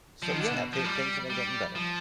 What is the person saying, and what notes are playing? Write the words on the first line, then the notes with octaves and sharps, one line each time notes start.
So, yeah, I thin things have been getting better.
F3
D#3
D3
B2
F3
G3
G3
F3